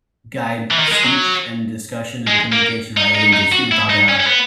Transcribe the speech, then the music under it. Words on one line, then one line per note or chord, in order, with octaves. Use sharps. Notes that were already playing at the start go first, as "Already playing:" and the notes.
guide speech, and discussion, and communication rather than just, you know, talk it out
E3
D#3
G#3
F#3
G#3
A#3
D#4
D#4
D#4
F#4
E4
D#4
C#4
C#4
B3